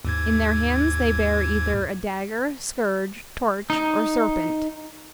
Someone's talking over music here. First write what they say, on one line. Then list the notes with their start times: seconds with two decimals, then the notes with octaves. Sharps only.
In their hands they bear either a dagger, scourge, torch, or serpent.
0.05 D#2 G#2 G#6
3.70 D#4